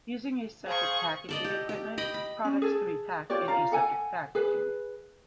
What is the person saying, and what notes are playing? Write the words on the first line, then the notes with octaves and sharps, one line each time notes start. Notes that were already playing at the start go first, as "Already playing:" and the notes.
Using aseptic packaging equipment, products can be packed in aseptic packaging.
G#4 C5 F5 C#6
A4 D5 D#5
G4
G4
D#5 G5 B5
B5
C#4
G#4 A4
F4 G4 C#5 D5
F4 F5 A#5
A4 F#5 G#5
G#4 B4